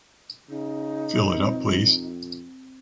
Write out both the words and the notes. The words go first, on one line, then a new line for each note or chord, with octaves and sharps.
Fill it up, please.
C#3 D#4
F2 C4